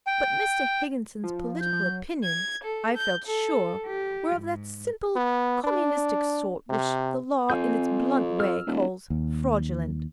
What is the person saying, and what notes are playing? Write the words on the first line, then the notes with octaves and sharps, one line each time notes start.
But Mr. Higginson's political opinions, I felt sure, were of that simple communistic sort which the law in its blunt way calls fraudulent.
G5
F3
G6
F3
F#3
G#6
A4
G6
A4
G4
G#2
B3
D4
C3
F2 C4 G#5 G6
E6 F6
D#1
D#2